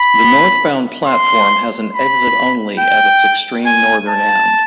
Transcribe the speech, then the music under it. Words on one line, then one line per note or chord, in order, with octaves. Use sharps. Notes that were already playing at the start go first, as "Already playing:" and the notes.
The northbound platform has an exit-only at its extreme northern end.
Already playing: B5
C6
B5
G5
G#5
A5